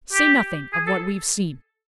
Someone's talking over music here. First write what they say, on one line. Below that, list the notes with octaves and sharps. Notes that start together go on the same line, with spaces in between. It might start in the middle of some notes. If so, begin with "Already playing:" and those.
Say nothing of what we've seen.
G4
G#4
A4